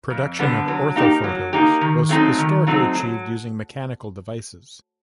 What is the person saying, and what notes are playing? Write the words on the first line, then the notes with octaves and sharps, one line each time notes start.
Production of orthophotos was historically achieved using mechanical devices.
F2
D3 G3 B3
F#3
A#3 D#4 G4
F#3
A#3 D#4 G4
D#3
F#3 A3 C4 D#4
D#3
F#3 A3 C4 D#4
F#3